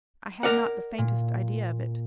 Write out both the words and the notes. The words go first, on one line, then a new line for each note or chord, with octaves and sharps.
"I had not the faintest idea of it."
A#4 D5 F#5
A#2